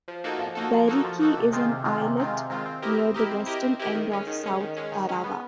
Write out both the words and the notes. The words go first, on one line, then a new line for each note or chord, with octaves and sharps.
Bairiki is an islet near the Western end of South Tarawa.
F3
A#3 D#4 F#4 A4
F3
A#3 D#4 F#4 A4
F3
A#3 D#4 F#4 A4
F3
A#3 D#4 F#4 A4
C3
D#3 G#3 C4 F4
C3
D#3 G#3 C4 F4
C3
D#3 G#3 C4 F4
C3
D#3 G#3 C4 F4
C4
E4 G4 A#4 D#5
C4
E4 G4 A#4 D#5
C4
E4 G4 A#4 D#5
C4
E4 G4 A#4 D#5
D#3
G#3 C#4
D#3
G#3 C#4
D#3
G#3 C#4
D#3
G#3 C#4
B3